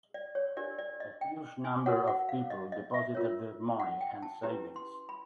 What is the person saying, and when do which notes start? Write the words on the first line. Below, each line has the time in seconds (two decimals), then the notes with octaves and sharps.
A huge number of people deposited their money and savings.
0.14 D5
0.35 C#5
0.57 D4 G4 A#4 C#5 D5
0.79 D5
1.00 D#5
1.21 G5
1.65 G#5
1.86 F#4 A#4 C#5 F#5
2.08 F#5
2.29 F5
2.50 D#5
2.72 D#5
2.94 E5
3.15 F4 A#4 C#5
3.80 F#5
4.01 G5
4.22 A5
4.43 C#4 E4 G4 B4 A#5
4.76 C6
5.09 B5